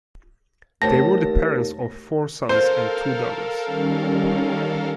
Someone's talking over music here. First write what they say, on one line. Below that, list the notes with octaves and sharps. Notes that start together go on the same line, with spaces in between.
They were the parents of four sons and two daughters.
D#2 A3 C5 C#5 A5 A#6
A4 A#4 C5 F5
D#3 G3 C#4